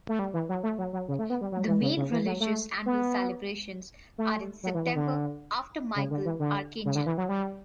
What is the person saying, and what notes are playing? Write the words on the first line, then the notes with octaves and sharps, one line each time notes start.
The main religious annual celebrations are in September, after Michael Archangel.
A3
G3
E3
F#3
A3
F#3
F#3
C#3
A3
B3
G3
F#3
E3
C#3
C#3
E3
F#3
A3
B3
A3
F#3
E3
E3
D3
C#3
D3
E3
D3
C#3
D3
E3
F#3
G3